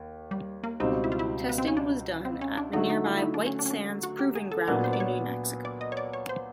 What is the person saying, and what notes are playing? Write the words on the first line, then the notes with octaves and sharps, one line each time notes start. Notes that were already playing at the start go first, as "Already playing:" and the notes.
Testing was done at the nearby White Sands Proving Ground in New Mexico.
Already playing: D#2
G3
A#3
C#2 B2 G3 C4 D#4
E4
F4
E4
B3
C4
C#4
D4
C4
C#4
D4
D3 F#3 A3 D#4
D#4
E4
E4
D#4
D4
C#4
D4
C#4
D4
F#4
G4
G#4
A4
A#2 F#3 B3 D4 A#4
C5
D5
C#5
D5
D#5
C#5
D5
C#5
C5